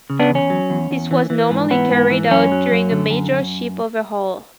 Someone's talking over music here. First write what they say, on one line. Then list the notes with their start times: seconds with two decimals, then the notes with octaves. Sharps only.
This was normally carried out during a major ship overhaul.
0.10 C#3
0.19 B3 D4
0.30 E2
0.35 C#4
0.50 F#3
0.70 E2
0.91 E2
1.11 E3
1.30 E3
1.51 G#2
1.70 E3 B3
1.90 G#2
2.10 E3
2.31 F#2 C#4
2.52 F#3
2.72 F#2
2.91 D3
3.11 F#2
3.31 F#2